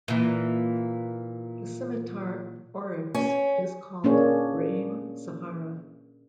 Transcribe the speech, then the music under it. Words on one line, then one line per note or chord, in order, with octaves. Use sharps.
The scimitar oryx is called "re'em Sahara".
A#2 E3
C#4
A#2 A#3 C#4 D4 G#4 C#5